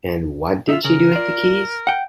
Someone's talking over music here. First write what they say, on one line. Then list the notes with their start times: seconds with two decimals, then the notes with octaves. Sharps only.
And what did she do with the keys?
0.69 D#4 F4 E5
0.85 C#3 A#4
1.12 F4 D5
1.87 F#5 G5